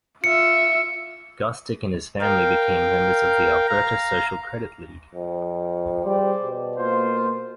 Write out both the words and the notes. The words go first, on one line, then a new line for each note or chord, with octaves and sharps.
Gostick and his family became members of the Alberta Social Credit League.
F4 E5 C#7
A#4 F5 G5
F5 A#5
F2
G3 G#4 C5 D5
B2
A#3 F4 C5